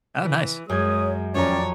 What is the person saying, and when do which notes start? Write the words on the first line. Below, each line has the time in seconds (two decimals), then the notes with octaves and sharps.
Oh, nice.
0.22 E3
0.69 F#2 G#3 C#5 D#6 G6 G#6
1.35 D#1 F2 C#4 C#5 D5 A#5